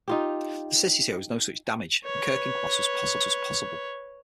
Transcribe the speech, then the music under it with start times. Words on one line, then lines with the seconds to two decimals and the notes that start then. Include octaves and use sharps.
The city shows no such damage, and Kirk inquires how this was possible.
0.08 D#4 F4 G4
2.05 B4 C#5